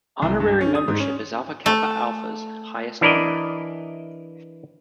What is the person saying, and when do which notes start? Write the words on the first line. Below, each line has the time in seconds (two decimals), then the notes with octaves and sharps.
Honorary membership is Alpha Kappa Alpha's highest honor.
0.22 C2
0.40 G2
0.61 C#4
0.75 D#6
0.88 G#2
1.00 C#4
1.66 A3
3.01 E3 D4 E4 A#4 D5 D#5